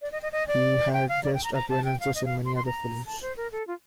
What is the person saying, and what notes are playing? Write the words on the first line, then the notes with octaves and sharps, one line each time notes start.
He had guest appearances in many other films.
D5
D#5
D#5
D#5
D5
G5
F5
D5
G5
A#5
A#5
A5
G5
F5
D#5
F5
C6
C6
A#5
A5
C5
A#4
A4
F4